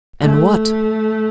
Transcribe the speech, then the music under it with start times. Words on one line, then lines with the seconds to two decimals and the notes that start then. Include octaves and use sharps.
"And what?"
0.21 A3